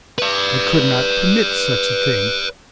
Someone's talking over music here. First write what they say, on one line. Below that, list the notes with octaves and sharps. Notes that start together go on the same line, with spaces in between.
I could not permit such a thing.
B4 D5